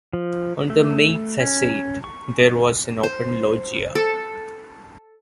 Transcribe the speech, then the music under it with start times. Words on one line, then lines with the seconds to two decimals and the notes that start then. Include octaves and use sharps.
On the main facade there was an open loggia.
0.13 F3
0.70 A3
1.40 C#4
2.04 C#6
3.03 C5
3.95 A4